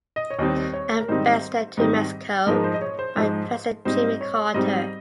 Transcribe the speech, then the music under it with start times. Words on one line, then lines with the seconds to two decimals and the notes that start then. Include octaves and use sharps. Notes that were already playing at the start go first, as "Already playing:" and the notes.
Ambassador to Mexico by President Jimmy Carter.
0.16 D#5
0.30 C#5
0.39 D#2 D#3 G3 C4 D#4 D#5
0.74 C#5
1.00 A#4
1.08 G#2 D#3 G3 C4 D#4 C5
1.77 G#2 D#3 G3 C4 D#4
2.46 G#2 F3 G#3 D#4 A#4
2.64 C5
2.74 D#5
2.82 C#5
2.99 C5
3.16 G#2 F3 G#3 D#4
3.85 G#2 G3 C4 D#4 C5
4.21 C#5
4.54 G#2 G3 C4 D#4 D#5